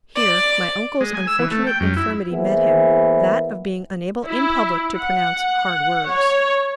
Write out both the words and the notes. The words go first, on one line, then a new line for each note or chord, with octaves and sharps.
Here my uncle's unfortunate infirmity met him--that of being unable in public to pronounce hard words.
D5
G#3
G#5
E6
E3
A3
G5
F#2
E4
E3 A#3 B3 E4 G#4 C5
E4
F#5
C#5